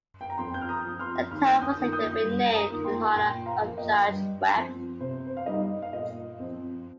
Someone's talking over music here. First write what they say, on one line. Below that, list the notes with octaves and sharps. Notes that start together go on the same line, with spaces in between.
The town was later renamed in honor of Judge Webb.
G5
A#5
F2 G5 C6
G6
F6
A#5 D#6
F3 C4
C6 F6
D#2 C6 F6
D#6 G6
D#3 A#3 F4
D#6 G6
G2
A#5 D#6
D#3 A#3 F4
G5 C6
A#2 G5 C6
F5 A#5
F3 A#3
D#5 G5
G2
F3 C4 F4
C3 C5
C5
F5
G3 D#4 D#5
F5
A#2 D#5
F3 C4